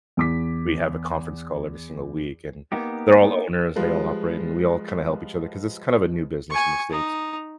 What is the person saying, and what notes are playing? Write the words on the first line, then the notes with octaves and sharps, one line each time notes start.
we have a conference call every single week, and they're all owners and they all operate, and we all kinda help each other 'cause it's kind of a new business in the states.
E2 D6 B6
A#3 B3 D#4 G4
F3 G3 G#3 F4 B4
G#5 C#6
D#4